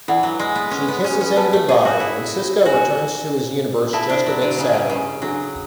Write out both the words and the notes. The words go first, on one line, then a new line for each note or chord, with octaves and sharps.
She kisses him goodbye, and Sisko returns to his universe just a bit sadder.
E3 E4 A4 D5 F#5 B5
F#3
G#3
B3
C#4
B3
C#4
C#4
B3 F#4 B4 D5 A5
A3
G#4
F#4
E4
F#4 A4 C#5 G#5 B5
E4 A4 E5 A5
D4
F#3
D3
C#3
C#3
C#3
F#3 D4 F#4 A4